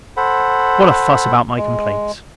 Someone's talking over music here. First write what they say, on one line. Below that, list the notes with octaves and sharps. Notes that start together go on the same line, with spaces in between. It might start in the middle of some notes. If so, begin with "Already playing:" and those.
What a fuss about my complaints!
A4 C5 F#5 B5
G#3